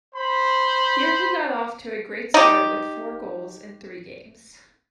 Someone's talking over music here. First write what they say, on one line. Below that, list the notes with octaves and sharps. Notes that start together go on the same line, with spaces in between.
Here he got off to a great start with four goals in three games.
C5 B5
D#4 G4